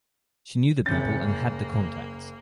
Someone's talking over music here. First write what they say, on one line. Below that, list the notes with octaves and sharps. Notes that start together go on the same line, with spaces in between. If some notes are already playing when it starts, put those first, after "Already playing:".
She knew the people and "had the contacts".
F#1 C3 G6 A6
A#3